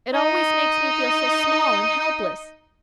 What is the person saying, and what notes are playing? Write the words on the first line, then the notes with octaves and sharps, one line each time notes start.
"It always makes me feel so small and helpless."
D#4 D#5